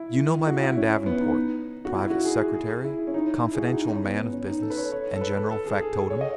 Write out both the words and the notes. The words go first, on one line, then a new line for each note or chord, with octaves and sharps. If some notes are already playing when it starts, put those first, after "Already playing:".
You know my man Davenport--private secretary, confidential man of business, and general factotum.
Already playing: E4
F#4
E4
C#4
B3
D#4
F#4
E4
F#4
G#4
G#4
E4
C#4
D#4
E4
G#4
F#4
D#4
C#4
B3
C#4
D#4
A4
B4
C#5
C#5
A4
B4
A4
G#4
G#4
C#5
D#5